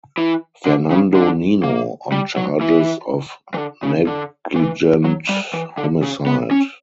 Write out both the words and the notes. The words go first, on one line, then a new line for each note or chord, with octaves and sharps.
Fernando Nino on charges of negligent homicide.
E3
D3
C#3
D3
A#3
G3
F#3
E3
E3
D3
C#3
D3
E3
F#3
G3
E3
D3
C#3
B3
C#4